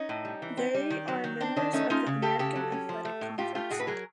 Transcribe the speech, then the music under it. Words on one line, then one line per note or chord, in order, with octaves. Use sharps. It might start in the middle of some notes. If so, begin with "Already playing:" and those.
They are members of the American Athletic Conference.
Already playing: C#4 D#4
A2
G3
E3
C4
G3
D#3
F#3
D#3
C4 D4
D#3 D4
A3 C#4 D#4
C#4 D#4 F4
C#3
A3 G4 A4
C#3 G4 A4
F#3
C#4
F3
A3
A2
A2 F4 G4
A3 F4 G4
A2 F#4 G#4
B4
F#3 G#4 A#4